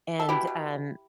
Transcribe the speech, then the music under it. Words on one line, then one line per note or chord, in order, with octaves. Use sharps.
and, um
A4
B2 E4 G4
B2